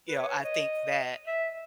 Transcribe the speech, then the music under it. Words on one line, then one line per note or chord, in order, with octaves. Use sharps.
you know, I think that,
B4
C#5
D#5
E5